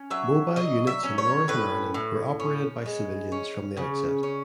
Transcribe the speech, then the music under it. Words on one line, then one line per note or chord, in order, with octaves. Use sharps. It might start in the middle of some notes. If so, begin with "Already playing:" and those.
Mobile units in Northern Ireland were operated by civilians from the outset.
Already playing: C#4
F#3 E5
F#3 D#5
E5
C#4
C#5
A2 B4
A2
C#4
G#3
C#4
C#3
C#4